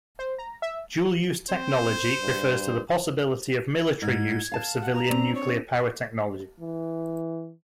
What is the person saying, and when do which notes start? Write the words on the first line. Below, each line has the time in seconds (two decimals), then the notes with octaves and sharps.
Dual-use technology refers to the possibility of military use of civilian nuclear power technology.
0.19 C5
0.39 A#5
0.62 E5
1.50 C4 C5
2.21 G2
4.02 G#2 G#6
4.52 F5 A5
4.82 F#5
4.94 A#5
5.09 C4 D4
5.35 C#5
6.60 E3